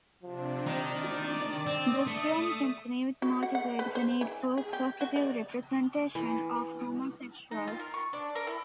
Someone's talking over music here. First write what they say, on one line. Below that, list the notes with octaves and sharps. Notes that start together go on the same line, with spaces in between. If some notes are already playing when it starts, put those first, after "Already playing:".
The film continued to motivate the need for positive representation of homosexuals.
C3 F3 D4
D#3 D5
D4
C4 D#6
A3
F#4
F#5
F#5
B4
C5
E3
G#4
G4
F#4
D5
E3
D#4
F4
A#4
C#6
D4
A#4
E4